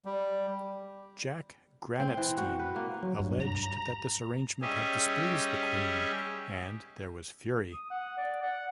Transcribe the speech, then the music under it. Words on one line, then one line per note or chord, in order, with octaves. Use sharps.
Jack Granatstein alleged that this arrangement had displeased the Queen and there was fury.
G3
C4
E3
F#4
B4
A#3
F#3
G2
A#5
G3 C#4 G4 G#4 D#5 E5
D#6
F#5
D5
F#5